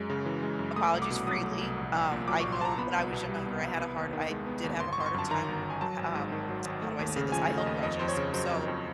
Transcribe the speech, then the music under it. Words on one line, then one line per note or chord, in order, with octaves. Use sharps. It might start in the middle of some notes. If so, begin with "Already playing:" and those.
apologies freely. Um, I know when I was younger, I had a hard I did have a harder time h um, how do I say this? I held grudges, so
Already playing: F#2 G#3
C#3
E3
G#3
F#2
A3 D#6
C2
D6
B2
F#3 D#6
A3
C2
A#1
A#1
A#2
F#3 D6
C#6
A#1
C6
A#1 A5 A#5
B3 B5
C2
B2
G3
B3
C2
B3
D#2
D#3
G#3
B3
D#2
G1 C6
C#6
G1 C6
C#6
F#2 A5
D#3 A#5
G1
G1
G#5
F#3 A5
G#1
G#2
D#3
F#3
G#1
A3
D#2
C#3
F3 G#5
A3
D#5
D#2
F2 D#5
F2 C5
C#5
C#3
F#3 C5
F2
F2